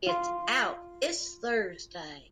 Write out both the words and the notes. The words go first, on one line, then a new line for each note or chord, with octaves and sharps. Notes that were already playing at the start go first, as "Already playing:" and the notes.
It's out this Thursday.
F4 C6